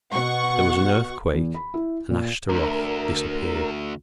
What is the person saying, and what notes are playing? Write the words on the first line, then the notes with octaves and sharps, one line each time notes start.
There was an earthquake, and Ashtaroth disappeared.
B2 F#5 C#6
E2
B5
E4
A#2
D2 A#4